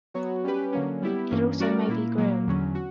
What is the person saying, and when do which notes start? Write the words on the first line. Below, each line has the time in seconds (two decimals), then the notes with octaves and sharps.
It also may be grilled.
0.14 F#3 B3 F#4 C#5
0.44 G3 C#4 G4 B4
0.73 D3 F#3 A#3 C#4
1.02 G3 B3 E4 G4
1.31 G2 E3 A#3 C#4
1.60 G3 C#4 F#4 A#4 D5
1.88 A#2 A#3 E4
2.17 A#2 F#3 A#3
2.47 E2 D3 F#3 C#4
2.75 F#4